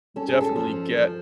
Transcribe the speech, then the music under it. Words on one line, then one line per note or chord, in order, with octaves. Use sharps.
definitely get
C#4 A4
G#4
A4
F3
F3